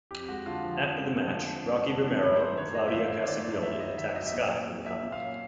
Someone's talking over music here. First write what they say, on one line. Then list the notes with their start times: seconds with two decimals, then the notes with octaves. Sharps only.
After the match Rocky Romero and Claudio Castagnoli atttacked Sky from behind.
0.11 F2 G4
0.28 G#3 F#4
0.46 D3 F4
0.64 F3
0.82 F2
0.99 G#3
1.17 D3
1.35 F3
1.52 F2
1.69 G#3
1.87 D3
2.05 F3
2.22 F#2 B4
2.39 F#2 C5
2.57 D#3 C#5
2.75 F#3 D#5
2.88 E5
2.92 F#2 F5
3.10 F#2 E5
3.28 D#3 D5
3.45 F#3
3.63 F#2 E5
3.80 F#2 D#5
3.98 D#3 E5
4.16 F#3 D#5
4.27 E5
4.33 A#2 D#5
4.51 C#4
4.68 F#3
4.86 A#3 E5
5.03 A#2
5.12 F5
5.21 C#4